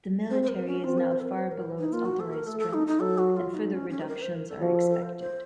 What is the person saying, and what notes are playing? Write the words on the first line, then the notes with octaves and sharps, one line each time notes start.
The military is now far below its authorized strength, and further reductions are expected.
C4 C5
C5
A#4
C#4
C4 F4
A#4
C5
A4
A#4
C5
A#4
D#4
A#3 F4
F#4
A4
A#4
A3 A4
A4
D#4
D#4
F#3 A4
F#4
F4
D#4
C#4
C#4
C5
A#4
C5
A#4
A4
F3 F#4
A4
A4
C5
C5